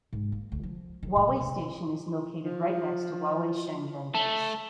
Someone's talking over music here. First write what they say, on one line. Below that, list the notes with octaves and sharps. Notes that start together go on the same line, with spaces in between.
Huawei station is located right next to Huawei Shenzhen Base.
G#2
A#3
D2
F3
D#3
A2
B1
F1
F3
A3 A5